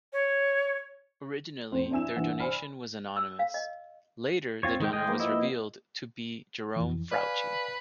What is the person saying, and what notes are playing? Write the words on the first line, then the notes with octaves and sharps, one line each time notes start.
Originally, their donation was anonymous; later, the donor was revealed to be Jerome Frautschi.
C#5
F2 C5
D4 E4 G#5 E6 E7
G2 E3 F#5 G#5
C5 D5 G#5 B5 F6
E6
F5
D#5
C4 F4 C#5
D#3 G#3 G5
G#3 D#5 G5
F3 A#3 B3
E4 D#5 G5
F2 E3
B4 D5 F5 G#5